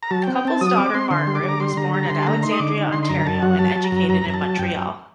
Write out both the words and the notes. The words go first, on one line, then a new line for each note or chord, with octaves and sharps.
The couple's daughter Margaret was born at Alexandria, Ont., and educated in Montreal.
A#5
F#3 A5
G5
C4
G5
C4 A5
F#3 D#6
C4 D6
C4 C6
D3 C6
G3
D6
D3 A#5
G3 C6
D3 A#5
G3 A#5
D3 C6
A5
A3 A#5
D#4 C6
D#6
D3 D6
D#4
D3 C6
C6
F#2 A#5
F#2 A5
F#3 F#5
F#3 A5
F#3
A#5
F#2
F#2 A#5
F#2 A#5
A5
F#3
F#2 G5
F#2